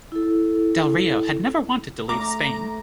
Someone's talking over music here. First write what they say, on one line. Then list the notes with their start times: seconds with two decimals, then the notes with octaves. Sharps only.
Delrio had never wanted to leave Spain.
0.12 E4 A4
2.09 A3 A#5 D6